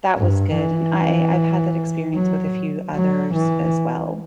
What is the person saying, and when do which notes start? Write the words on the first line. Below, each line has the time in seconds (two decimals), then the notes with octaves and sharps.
that was good, and I I've had that experience with a few others as well.
0.18 G2
0.58 E3
2.16 F#3
2.96 F#3
3.35 E3